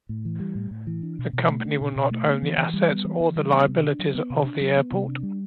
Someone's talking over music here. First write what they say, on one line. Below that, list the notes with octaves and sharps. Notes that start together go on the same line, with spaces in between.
The company will not own the assets or the liabilities of the airport.
A2
E3
G3
A2
A2
E3
D4
B2
B2
A3
D4
B2
B2
A3
B3
E3
E3
G3
B3
E3
E3
G3
B3
C3
D4
F#3
B3
C3
D4
F#3
B3
C3
D4
G3